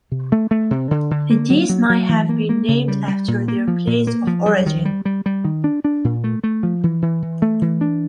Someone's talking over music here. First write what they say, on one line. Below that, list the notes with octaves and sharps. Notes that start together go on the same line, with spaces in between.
The dyes may have been named after their place of origin.
C3
A3
A3
C3
D3
D3
A#3
F#3
F#3
F#3
E3
A#3
A#3
C#3
G3
G3
A#2
A#3
F3
A#2
A#3
F3
G3
D#3
G3
G3
G3
D#3
D4
D4
A#2
A3
A3
F3
E3
E3
E3
A3
E3
D4